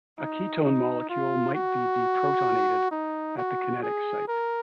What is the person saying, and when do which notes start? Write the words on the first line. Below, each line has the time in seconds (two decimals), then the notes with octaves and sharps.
A ketone molecule might be deprotonated at the "kinetic" site.
0.18 D#4
0.64 D#4
1.10 F4
1.55 F#4
2.92 D#4
3.37 F#4
3.83 G#4
4.28 A#4